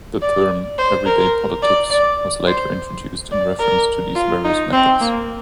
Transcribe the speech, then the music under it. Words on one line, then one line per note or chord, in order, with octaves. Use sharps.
The term "everyday politics" was later introduced in reference to these various methods.
D5
C5
A#4
D5
D5
C5
D5
A#4
F4
D#4
C4
A#3